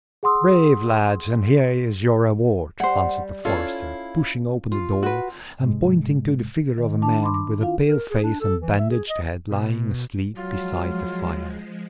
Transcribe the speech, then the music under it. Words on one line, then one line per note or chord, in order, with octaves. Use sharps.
"Brave lads! and here is your reward," answered the forester, pushing open the door and pointing to the figure of a man, with a pale face and bandaged head, lying asleep beside the fire.
G#4 F#5 C6 D#6 E6
G3 C5 F#5
C#4 E4 F4 A4 C#5 F5
F4
F#4 B4
G#2 C3 G#3
D#3
D4 A5 D6
B5 C6 D6
D6
E4 F4 F5
A#4
G#4
D4
A4
E3
E5
G#4
D#5
B2
F3 F#3 G#3 F4